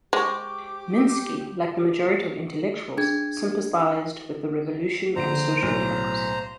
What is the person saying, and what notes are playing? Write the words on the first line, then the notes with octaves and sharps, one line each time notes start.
Minsky, like the majority of intellectuals, sympathized with the revolution and social democracy.
G#3 G4 C5 C#6 D6
D4 G#4 G#6
A#1 D3 C5 A#5 D7
B1 A2